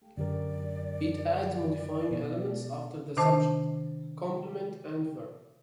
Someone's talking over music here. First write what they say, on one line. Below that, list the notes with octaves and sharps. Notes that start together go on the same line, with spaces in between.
It adds modifying elements after the subject, complement, and verb.
F#2 D3 G4 A#4 D5
B2
C3 D#3 D4 C5 A5